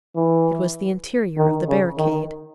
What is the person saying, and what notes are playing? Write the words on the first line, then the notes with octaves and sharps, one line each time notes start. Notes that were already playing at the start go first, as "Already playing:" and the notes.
It was the interior of the barricade.
E3
D#3
C#3
D#3